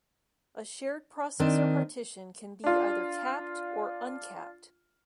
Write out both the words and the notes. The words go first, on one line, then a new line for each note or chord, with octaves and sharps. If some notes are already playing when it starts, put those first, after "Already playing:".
A shared processor partition can be either "capped" or "uncapped".
D#3 C4 D4
D4 F4